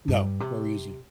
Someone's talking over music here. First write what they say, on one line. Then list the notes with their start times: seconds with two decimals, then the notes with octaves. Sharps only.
No, very easy,
0.08 G2
0.40 C3